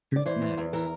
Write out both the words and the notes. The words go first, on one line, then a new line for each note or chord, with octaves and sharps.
Truth matters.
D5
E3 C5
E2
E2
E3 A#4